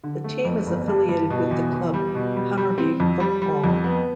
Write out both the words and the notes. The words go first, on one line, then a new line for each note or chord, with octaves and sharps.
The team is affiliated with the club Hammarby Fotboll.
D3
A3
F2
G1
G2
G2
B2
E2
E2
G3
B2
G3
G3
C4
F2
G3
G3
F2
B3